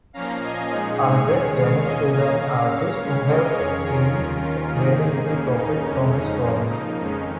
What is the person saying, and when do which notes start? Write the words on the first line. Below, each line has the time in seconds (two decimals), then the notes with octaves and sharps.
Albrecht Raines is an artist who has seen very little profit from his work.
0.13 A#2 F3 A#3 C#4 F5 A#5
0.42 D#5 G#5
0.70 A#2 G#3 C#4 D#4 G#4
0.99 G#4 C#5
1.28 D#2 D#3 G#3 C#4 G#4 C#5
1.57 C#5 F5
1.85 A#2 A#3 C#4 D#5 G#5
2.14 F5 A#5
2.42 C#3 A#3 C#4
2.71 C#5 F5
3.00 C#3 G#3 C#4
3.28 A#4 D#5
3.56 F2 D#3 C#4 G#4 C#5
3.85 F4 A#4
4.13 D#2 D#3 C#4
4.42 C#4 F4
4.71 G#2 D#3 A#3 D#4 G#4
5.00 D#4
5.28 D#2 C#3 A#3 C#4
5.57 D#4
5.85 F2 C#3 G#3 C#4
6.14 D#4
6.43 C#3 F3 A#3
6.72 D#4
7.00 F2 D#3 G#3 C#4